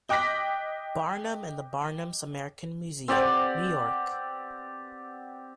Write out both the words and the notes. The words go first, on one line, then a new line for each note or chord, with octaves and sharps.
Barnum in the Barnum's American Museum, New York.
D#5 G5 D6 F#6 A#6 B6
C4 G4 D5 F#5